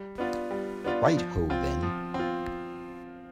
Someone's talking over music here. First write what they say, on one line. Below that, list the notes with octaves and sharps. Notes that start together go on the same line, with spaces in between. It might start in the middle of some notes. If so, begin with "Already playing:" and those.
Right ho, then.
Already playing: G3
B3 D4 F4
G3
B3 D4 F4
F3
C4 F4
F3
C4
F4